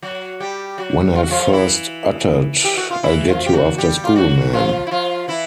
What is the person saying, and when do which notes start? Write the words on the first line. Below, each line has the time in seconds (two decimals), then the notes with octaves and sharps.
When I first uttered, 'I'll get you after school, man!
0.02 F#3 F#4
0.40 G3 G4
0.78 F#3 F#4
1.15 F4
1.23 F#4
1.31 F3 F4
1.53 E3 E4
2.65 G4
2.77 F#4
2.90 F4
3.03 E3 E4
3.28 F3 F4
3.46 G4
3.53 F#3 F#4
3.78 G3 G4
4.04 F4
4.16 F#3 F#4
4.53 F3 F4
4.87 E4
4.91 F3 F4
5.28 E3 E4